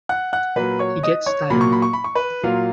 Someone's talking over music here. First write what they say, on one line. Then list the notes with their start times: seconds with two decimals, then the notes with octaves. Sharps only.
He gets tired.
0.09 F#5 F#6
0.33 F#5 F#6
0.56 A#2 F#3 A#3 B4 B5
0.79 C#5 C#6
1.03 D#5 D#6
1.26 C#5 C#6
1.50 A#2 F#3 A#3 B5
1.61 C#6
1.72 B5
1.82 C#6
1.93 B5
2.04 C#6
2.15 B4 B5
2.43 A#2 F#3 A#3 F4 F5